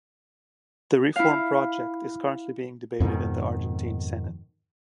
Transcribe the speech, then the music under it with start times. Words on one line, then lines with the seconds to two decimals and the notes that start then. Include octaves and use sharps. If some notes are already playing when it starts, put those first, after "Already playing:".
The reform project is currently being debated in the Argentine Senate.
1.16 E4 F5
3.00 F2 G#2 B2 D#3